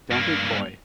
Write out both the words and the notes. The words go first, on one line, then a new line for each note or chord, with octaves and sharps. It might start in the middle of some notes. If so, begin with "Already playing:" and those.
don't be coy.
G2 A#3